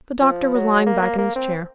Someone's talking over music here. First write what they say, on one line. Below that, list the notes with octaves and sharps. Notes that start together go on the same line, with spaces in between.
The Doctor was lying back in his chair.
F3
F#3
A#3
A#3
A#3
C4